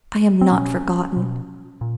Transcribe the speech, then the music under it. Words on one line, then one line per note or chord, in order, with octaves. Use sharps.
I am not forgotten.
C4
B2 C#4
B2
A#2